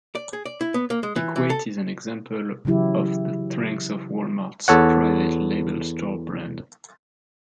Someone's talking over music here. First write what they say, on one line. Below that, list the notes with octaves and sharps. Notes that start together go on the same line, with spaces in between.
Equate is an example of the strength of Walmart's private label store brand.
D5
G#4
D5
E4
B3
A#3
G#3
E3
E3
A4
C#3 E3 F#3 E4 G4
E2 A4 C#5 F#5